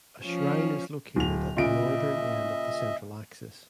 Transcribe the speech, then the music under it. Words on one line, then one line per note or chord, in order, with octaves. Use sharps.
A shrine is located at the northern end of the central axis.
F3 C#4
D1 F7
A#2 C#3 D#5 E5 D7